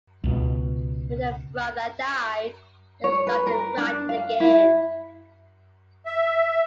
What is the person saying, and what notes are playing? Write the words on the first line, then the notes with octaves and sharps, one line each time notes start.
When their brother died, they started writing again.
C#2 B2
C#5
B4
A#4
D4
F5
E4
E5